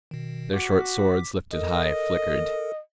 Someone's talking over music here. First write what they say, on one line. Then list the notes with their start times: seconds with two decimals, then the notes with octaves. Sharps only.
Their short swords, lifted high, flickered.
0.11 B2 D#3
0.54 F#4 D6 B6
1.53 A4 A#4 D#5